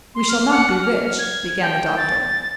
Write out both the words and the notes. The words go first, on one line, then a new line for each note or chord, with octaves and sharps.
"We shall not be rich--" began the doctor.
C6
F6
F#5
F6
G#6
G5
A6